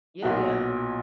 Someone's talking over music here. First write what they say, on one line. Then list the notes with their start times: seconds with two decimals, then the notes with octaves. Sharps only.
Yeah, yeah.
0.22 B1 A#2 F#3 B3 F#4